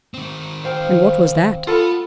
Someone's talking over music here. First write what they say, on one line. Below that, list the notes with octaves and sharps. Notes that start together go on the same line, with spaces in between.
"And what was that?"
D#3 C4
C5 F5 G5
F4 A4 F#5 B5